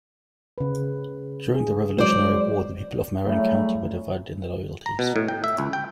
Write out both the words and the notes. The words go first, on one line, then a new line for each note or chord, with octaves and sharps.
During the Revolutionary War, the people of Marion County were divided in their loyalties.
C#3 B4
G#4
F#3 G#3 C5 D5
A2 C#3 F#3 G3 A3
A#5
B2
A2
G5
E5
C#2
G5